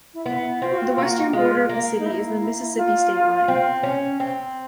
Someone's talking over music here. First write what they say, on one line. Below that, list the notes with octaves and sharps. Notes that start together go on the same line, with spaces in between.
The western border of the city is the Mississippi state line.
E4
B3
E4
C4 F4
F#4
F4
F#4
F4
A#3 F#4
F4
G#3 F4
A#3
D#4
E4
E4
E4
E4
F4
C4
C#4
C4